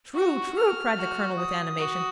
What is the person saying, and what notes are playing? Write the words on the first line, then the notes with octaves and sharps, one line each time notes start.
"True--true," cried the colonel, with animation.
F#4 C#6
F6
F#4
D#6
F#4